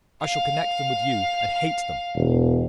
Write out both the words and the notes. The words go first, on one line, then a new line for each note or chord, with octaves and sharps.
'I shall connect them with you, and hate them.'
F5
E1